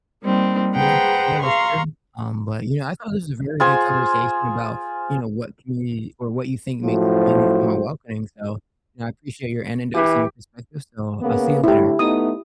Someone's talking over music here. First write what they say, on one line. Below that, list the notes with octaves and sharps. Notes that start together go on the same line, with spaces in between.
Yeah, yeah, that's true, um, but, you know, I thought this was a very good conversation about, you know, what community or what you think makes a community feel more welcoming, so, you know, I appreciate your anecdotes and your perspective, so I'll see you later.
G3 A#3 C4 D#4
G#4 B4 C5 F#5 G5 A#5
F5 A#5 C6 C#6
F4 G#4 C5 G#5
F#2 A2 F3 F#4 C5
E3 G4
C#3 A#3 B3
A2 D3 E4 G4
A3 B3 D#4 D#6